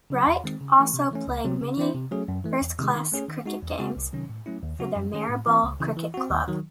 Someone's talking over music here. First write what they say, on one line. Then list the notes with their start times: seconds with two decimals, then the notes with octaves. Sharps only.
Wright also played many first-class cricket games for the Marylebone Cricket Club.
0.10 C#3 F#3
0.27 E2
0.44 D#3 G#3 C4
0.61 C#3
0.77 E3 A3 C#4
0.94 C3
1.11 E3 A3 C#4
1.28 C#2
1.45 C3 F#3 C4
1.61 C#3
1.78 E3 C4 E4 C5
1.94 C3
2.11 F#3 A3 C#4 G#4
2.28 F#2
2.44 E3 A3
2.62 E2
2.79 C3 D#3 G#3
2.95 D#3
3.12 A3 C#4 G#4
3.28 D#3
3.46 G#3 D#4 F#4
3.62 E2
3.79 C#3 G#3 C4 F#4
3.96 C2
4.13 C3 D#3 F#3 C#4
4.29 A2
4.46 F#3 A3 C#4 E4
4.63 D#2
4.79 C#3 F#3 C#4 F#4
4.96 F#2
5.14 D#3 A3 C#4 G#4
5.30 A2
5.47 E3 C4
5.64 C#2
5.80 C#3 E3
5.97 E3
6.14 C4 F#4
6.30 D#2
6.48 D#3 F#3